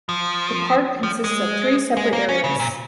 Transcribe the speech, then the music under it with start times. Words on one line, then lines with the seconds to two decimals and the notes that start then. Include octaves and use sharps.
The Park consists of three separate areas.
0.09 F3
1.03 F3
1.24 G#3
1.97 G#3
2.13 A#3
2.29 C#4
2.44 C#3
2.59 A#2